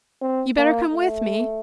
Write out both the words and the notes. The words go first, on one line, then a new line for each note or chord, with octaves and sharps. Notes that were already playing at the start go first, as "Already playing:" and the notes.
You'd better come with me.
C4
A#3
A3